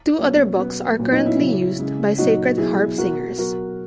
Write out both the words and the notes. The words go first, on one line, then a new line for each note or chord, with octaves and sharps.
Two other books are currently used by Sacred Harp singers.
B2 F#3 A#3 C#4
B2 F#3 B3
A#2 F#3
B3 D#4
C#4 E4
C#3 F#3
C#3 G#3
A#2 F#3 D#4 F#4
B2 F#3 E4 G#4
B2 F#3 F#4 A#4
B2 F#3 F#4 A#4